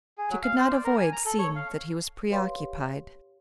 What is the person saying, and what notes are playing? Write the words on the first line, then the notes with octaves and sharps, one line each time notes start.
She could not avoid seeing that he was preoccupied.
G#4
F#3
F5
C5
D5
A#4
G#5
A#5
A4
C#5
F5
G4 B4 C#5 F5 C6